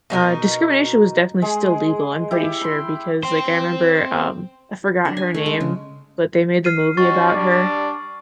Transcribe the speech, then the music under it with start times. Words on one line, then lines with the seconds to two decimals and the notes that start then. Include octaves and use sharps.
uh, discrimination was definitely still legal, I'm pretty sure, because like I remember, um, I forgot her name, but they made the movie about her.
0.10 B2 D#4 E4 A#4
1.42 G#3 G#4
2.31 E4 G4
2.61 B5 C6
3.23 C4 C5
5.05 D4
5.17 G#5
5.34 A3
5.46 G#3
5.60 C#3
6.65 F6 C7 D#7
6.97 C#4 D#4 F#4 C#6 A6
7.35 G3 D4 D5